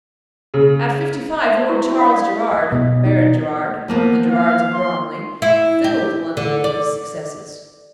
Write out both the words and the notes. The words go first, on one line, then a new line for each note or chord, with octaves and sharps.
At fifty-five Lord Charles Gerrard, Baron Gerrard, one of the Gerrards of Bromley, filled London with his successes.
C#3
E5 A5 C6
C5 D5
E4 F#4 C6 C#6
D4 F#4 B4
C#5 D#5 F5 F#5 B5 D#6
D5 F5
D#5
B2
D#4
F3 A#3 B3
F5
C6
E4
G4
D3
D5